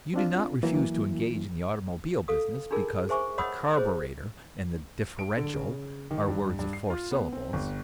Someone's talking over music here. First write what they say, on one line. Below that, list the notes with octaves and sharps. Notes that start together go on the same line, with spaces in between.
You do not refuse to engage in the automobile business because the carburetor and the differential are words of four syllables.
C4 D4 F4
E3 F#3 A#3 E4
A4 F5 D#6
D4 D#4 F4 G#4 A#4
G#4 C5 E5 G#5 C#6 D6
C#5 D#5 F#5 B5 D#6 E6
G#4 C5 C#5 D#5
D7
D3
C#3
D#3
G2
G2
C7
F4
B3
C4
G1